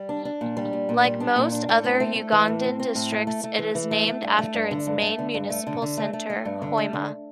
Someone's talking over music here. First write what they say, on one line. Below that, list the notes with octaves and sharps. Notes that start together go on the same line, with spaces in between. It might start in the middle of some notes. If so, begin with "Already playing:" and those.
Like most other Ugandan districts, it is named after its main municipal centre, Hoima.
Already playing: G3
D4
D4
A#2
G3
A#2
A#2
G3
D4
A#2
D4
A2
C4
A3
A3
E3
A2
C4
C4
A2
A3
A3
A3
E3
E3
A3
A3
G2
A3
G2
D3
G2
A3
D3
G2
A3
D3
D3
A3
A3
A3
G2
D3
A3
D3